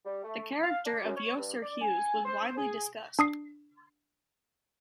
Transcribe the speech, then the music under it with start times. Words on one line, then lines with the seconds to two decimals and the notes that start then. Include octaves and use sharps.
The character of Yosser Hughes was widely discussed.
0.05 G3
0.24 A3
0.63 F5
0.86 D4
1.05 F#2
1.17 C#5
1.37 G2
1.63 D5
1.82 G#5
2.25 C5
2.57 G#4
3.19 D4 D#6 C7